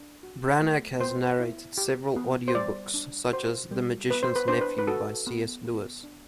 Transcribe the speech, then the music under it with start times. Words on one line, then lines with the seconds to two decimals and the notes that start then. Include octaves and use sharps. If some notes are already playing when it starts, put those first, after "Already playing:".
Branagh has narrated several audiobooks, such as "The Magician's Nephew" by C. S. Lewis.
Already playing: D4
0.23 F#4
0.62 A3
1.00 B3 C5
1.40 E4
1.78 G4
2.16 B3
2.48 C5
2.55 G3 D5
2.94 D4
3.32 F#4 C5
3.71 G3
4.10 B3 B4
4.23 C5
4.36 B4
4.48 D4 C5
4.61 B4
4.78 B4
4.87 F#4 A4
5.27 B3
5.65 B3
6.03 D4